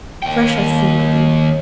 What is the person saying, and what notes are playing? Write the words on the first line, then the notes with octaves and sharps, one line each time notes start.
Afresh I seek thee.
D#2 G5